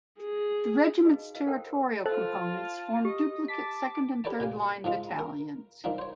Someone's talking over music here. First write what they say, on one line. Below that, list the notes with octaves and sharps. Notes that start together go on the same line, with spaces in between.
The regiment's territorial components formed duplicate second and third line battalions.
G#4
D#4 F#4 G#4 B4 D#5 F5
E4 B4 D#5 F5
A4 A#4 C5 F#5 G5 A5
F4 A4 C5 A5
G4 D#5
A5 D6 B6
G4 A4 B4 C#5 D5 A5
A#2 G4 G#5
G#2 F3 G#3 F4
A#4
D#3 F3 D4
C5 C#5